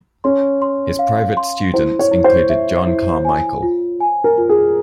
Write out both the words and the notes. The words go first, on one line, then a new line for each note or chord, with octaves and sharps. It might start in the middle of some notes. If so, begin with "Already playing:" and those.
His private students included John Carmichael.
C#4 C6
C6
F5
C6
E4 C5
C#5
E4
C5
E5
E4
G#5
F4
G#5
A#4
F4
G#4